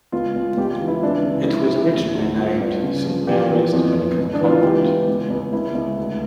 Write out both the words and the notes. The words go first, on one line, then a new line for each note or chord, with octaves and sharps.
It was originally named Saint Mary's Dominican Convent.
C#2 F4
C#2
C#2 G4
F4
E3
E4
C#2 D4
C#3
F3 E4
F3
D2
D2
G2 F4
G2
C#3
F3
E2 G4
E3
F2
F2
C#2
D4
E3
F4
C#2 G4
C#2
C#2
C#2
C#2 E4
C#2
D2